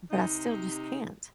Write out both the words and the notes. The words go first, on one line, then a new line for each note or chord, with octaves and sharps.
but I still just can't.
C3 D#4